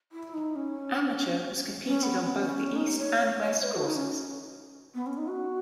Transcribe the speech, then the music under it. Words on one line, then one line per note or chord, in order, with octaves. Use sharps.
Amateur was competed on both the East and West Courses.
E4
D#4
C#4
C#4
B3
C#4
B3
C#4
D#4
C#5
C#5
C#5
B4
F#4
D#4
C#4
B3
C#4
D#4
F#4